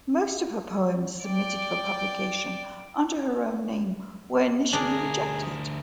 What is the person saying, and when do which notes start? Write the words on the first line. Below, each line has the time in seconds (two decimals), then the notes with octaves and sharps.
Most of her poems submitted for publication under her own name were initially rejected.
1.24 D5 G5
4.73 D2 D4 G#4 A#4